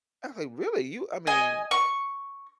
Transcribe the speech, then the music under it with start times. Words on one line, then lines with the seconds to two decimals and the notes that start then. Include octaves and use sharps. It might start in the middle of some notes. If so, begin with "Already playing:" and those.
I was like, “Really, you I mean
1.27 D#5 G#5
1.71 C#6